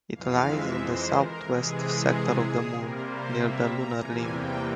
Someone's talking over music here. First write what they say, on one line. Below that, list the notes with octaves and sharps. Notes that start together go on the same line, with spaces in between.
It lies in the southwest sector of the Moon, near the lunar limb.
F2 E3 G#3 F5
E5
C5
A#4
C3 E3 G#3 G#4
C3 G3 A#3 A#4
C5
E5
A#5
E2 C3 E3 G3 A#3 G#5
G5